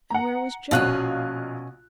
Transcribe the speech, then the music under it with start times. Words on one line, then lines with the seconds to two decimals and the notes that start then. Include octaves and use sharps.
And where was Joe?
0.10 F#5 A#5
0.71 A#1 B2 C#4 D#5 F5 F#6